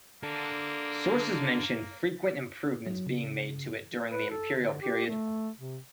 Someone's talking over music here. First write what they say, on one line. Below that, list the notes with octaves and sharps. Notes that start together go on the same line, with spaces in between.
Sources mention frequent improvements being made to it during the imperial period.
A#3 D4 A4
F#3
C#3
B4
A4
D3
G4
A3
C3